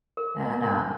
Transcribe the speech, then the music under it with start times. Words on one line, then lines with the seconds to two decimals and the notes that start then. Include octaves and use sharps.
and, um
0.17 A#4
0.40 D#5 F#5
0.64 A#4